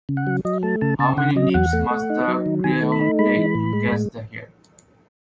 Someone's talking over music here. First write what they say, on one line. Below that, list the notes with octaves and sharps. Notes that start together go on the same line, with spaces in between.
How many leaps must the greyhound take to catch the hare?
C#3
F#5
F#3
F#3 D#5
A3 A5
C#3 A5
C#3 A5
C#3 F#5
F#3 D#5
E2 F#5
A3
A3
D#4
F#3
D#3
D#3 G#5
A3
B5
D#4
G#3 B5
E3
A2
G#3
A2